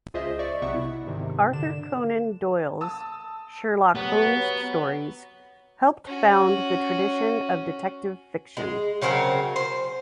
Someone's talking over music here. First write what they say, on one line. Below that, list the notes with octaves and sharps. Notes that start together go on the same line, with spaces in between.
Arthur Conan Doyle's "Sherlock Holmes" stories helped found the tradition of detective fiction.
C#2 F4 G#4 C5 D#5 E5
D5 E5 C#6
B1 C3 B3 E5 F#5 C#6
E4
G#2 C3 D#3
D3 E7
A5 D#6 E6
F#3 B3 G4 B4 C#5
C#4 F#4
G#3
C#3 F#3 C4 A#4
C5